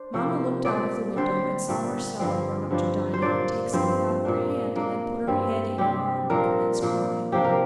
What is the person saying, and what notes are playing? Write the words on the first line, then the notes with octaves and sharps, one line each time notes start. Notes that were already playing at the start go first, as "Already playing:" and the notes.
Mamma looked out of the window and saw Marcella run up to Dinah and take something out of her hand and then put her head in her arm and commence crying.
Already playing: D4 C5
C3 F3 A#3
A#2 G3 C4 D5
D3 G3 D4 C5
A#2 G3 D4
G2 D3 F3 C4
G2 F3 D4
C5
A#2 A#3 D4 D5
G2 F3 C4 C5
A#2 A#3 D4
A#2 A#3 D4
G2 G3 C4
C3 G3 C4 G4
A#2 F3 D4 A#4
A#2 F3 A#3 D4
C3 F3 A#3 D4 G4
A#4